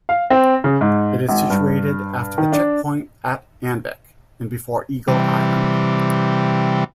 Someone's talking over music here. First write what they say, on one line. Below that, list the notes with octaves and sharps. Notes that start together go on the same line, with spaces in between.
It is situated after the checkpoint at Anvik and before Eagle Island.
F5
C4
C#3
G#2
G#1
G2
D#3
D4
C3 E3 G3